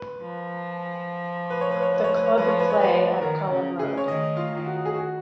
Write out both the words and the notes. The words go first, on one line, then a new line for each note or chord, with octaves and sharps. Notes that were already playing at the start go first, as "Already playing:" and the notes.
The club play at Culham Road.
Already playing: B4
F3
B4
C#5
B4
C#5
B4
C#5
B4
C#5
F3 B4
C#5
B4
C#5
F3 B4
D#3 A#4
C#3
C#3 G#4
C#5
D#3 D#5
F4
D#3
F4
F#4
G#4
F#4